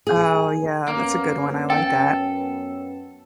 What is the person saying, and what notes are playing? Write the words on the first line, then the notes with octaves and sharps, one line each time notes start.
Oh, yeah. That's a good one. I like that.
G#4
F#2 A#3 B3 C#4
A4 G5